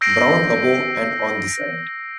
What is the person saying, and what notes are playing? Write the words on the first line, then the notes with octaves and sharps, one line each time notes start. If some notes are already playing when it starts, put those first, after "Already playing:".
Brown above and on the side.
E6 G6 A#6 C7 D7